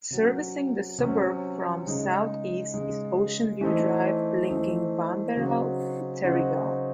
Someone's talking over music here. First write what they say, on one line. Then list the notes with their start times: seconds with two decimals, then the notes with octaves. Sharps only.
Servicing the suburb from the south-east is Ocean View Drive, linking Wamberal to Terrigal.
0.11 C3 F#3 C#4
0.99 C3 F#3 C#4
1.86 C#3 G#3 D#4
2.74 C#3 G#3 D#4
3.61 E3 A3 C4 D#4
4.49 E3 A3 C4 D#4
5.36 C#3 F#3 C4 D#4 F#4
6.23 C#3 F#3 C4 D#4 F#4